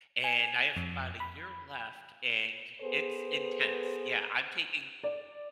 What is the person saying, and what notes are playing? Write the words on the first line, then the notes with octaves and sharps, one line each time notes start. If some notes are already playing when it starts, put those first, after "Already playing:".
and I have about a year left, and it's intense. Yeah, I'm taking
G#5
F2
B5
B3 G#4 A4 B4 C5
D5